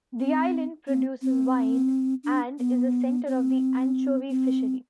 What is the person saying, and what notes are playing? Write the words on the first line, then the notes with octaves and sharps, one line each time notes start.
The island produces wine, and is a centre of the anchovy fishery.
C4
C4
C4
D4
B3
C4
C4